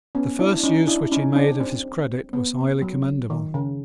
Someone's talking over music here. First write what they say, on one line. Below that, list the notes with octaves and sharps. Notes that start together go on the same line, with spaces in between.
The first use which he made of his credit was highly commendable.
B3 C#4
D4 E4
C#4 D#4
D4 E4
C#4 D#4
C4 D4
C4
B3
F#3
D#3
C#3